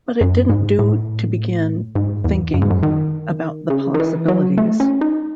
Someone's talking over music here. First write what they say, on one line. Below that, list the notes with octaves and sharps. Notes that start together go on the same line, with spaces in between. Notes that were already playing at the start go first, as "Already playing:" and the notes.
But it didn’t do to begin thinking about the possibilities.
F#2
G#2
A2
G#2
E2
F#2
G#2
F#2
D#3
C#3
D#3
E3
F#3
A3
C#4
D#4